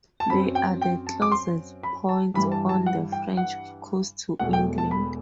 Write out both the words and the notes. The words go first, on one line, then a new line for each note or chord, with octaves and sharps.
They are the closest points on the French coast to England.
A5
F#2 F#3 C4 B5
G5
G5
A5
D6
C6
B5
A5
G2 E3 G3 B5
A5
A5
F#5
G5
F#5
E1 E2 B2 A3 F#5
G5
A5
B5